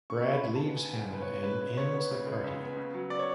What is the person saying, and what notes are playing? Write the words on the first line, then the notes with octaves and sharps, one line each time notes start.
Brad leaves Hannah and ends the party.
C#3 C#6
G#3
B5
C#2
B3 A5
C#3 G#5
G#3
C#2 B4
C#5
B3
C#3 B4
G#3
C#2 C#5
B3
C#3
G#3
C#2
B3
C#3
F#3
D5
C#5